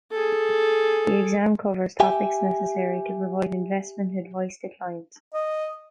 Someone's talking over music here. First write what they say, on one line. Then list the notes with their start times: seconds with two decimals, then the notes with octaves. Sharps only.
The exam covers topics necessary to provide investment advice to clients.
0.12 G#4 A4
2.00 G4 E5 G5 G#5
5.34 D#5